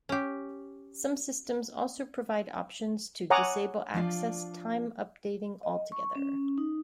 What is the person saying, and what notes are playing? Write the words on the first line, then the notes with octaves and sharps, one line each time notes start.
Some systems also provide options to disable access time updating altogether.
C#4 G4
C#5 F#5 G#5 A#5 D6 D#6
F3 D4 F4 D5
D#5
C#6
C#4
D#4